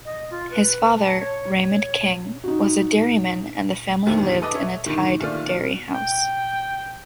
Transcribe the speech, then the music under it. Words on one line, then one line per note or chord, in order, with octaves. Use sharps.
His father, Raymond King, was a dairyman, and the family lived in a tied dairy house.
D#5
F4
B4
A5
C#5
C#5
D#4 F#4
D#1 G#1 F2 A#2 D3
A4 B4 D#5 B5 D6 D#6
C#5 E5 C#6
G#2 D3 D#3
A#1 D#3 A3 F4 D5 F6
B2
G5